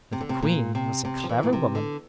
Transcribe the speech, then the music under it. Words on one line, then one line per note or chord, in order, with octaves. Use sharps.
But the Queen was a clever woman.
C3
D3
C3
A#2
C3
C3
F3
E3
A#2
C3
D3